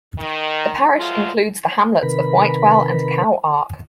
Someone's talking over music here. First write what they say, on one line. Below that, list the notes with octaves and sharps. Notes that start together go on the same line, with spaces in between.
The parish includes the hamlets of Whitewell and Cow Ark.
D#3
F3 F#3 G#3 A3 F4
C3 D#3 A#4 B4 B5